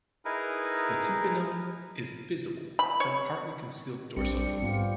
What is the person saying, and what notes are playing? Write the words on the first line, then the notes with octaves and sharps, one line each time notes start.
The tympanum is visible but partly concealed dorsally.
D#4 E4 G#4 A#4 B4
B5
C#5
A#1 G3 C4 D4 G4 C#7
G#2 B3 F4 G4